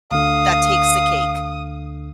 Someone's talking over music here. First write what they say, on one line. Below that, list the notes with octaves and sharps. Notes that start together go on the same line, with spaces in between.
that takes the cake,
D2 D3 F5 D#6